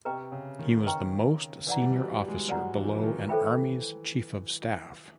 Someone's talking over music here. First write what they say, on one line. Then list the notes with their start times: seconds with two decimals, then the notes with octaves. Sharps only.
He was the most senior officer below an Army's Chief of Staff.
0.05 C3 B4 D#5 G5 A#5 C#6
0.32 C#3
0.59 D#3
0.86 B4 D#5 G5 A#5 C#6
1.67 E3 B4 D5 F#5 A#5
1.82 G3
1.94 F#3
2.20 G3
2.28 G#3
2.35 G3
2.48 F#3 B4 D5 F#5 A#5
2.74 E3
2.83 F3
2.92 E3
3.02 D#3
3.28 E3 A4 C5 E5 G5 B5